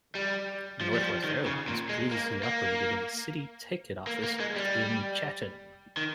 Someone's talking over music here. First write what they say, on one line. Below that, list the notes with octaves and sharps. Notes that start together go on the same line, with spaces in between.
Northwest Airlines previously operated a city ticket office in Chatan.
G3
F3
G3
F3
D#3
C#3
A#2
G#3
A#3
A#3
A#3
A#3
G#3
G3
D#3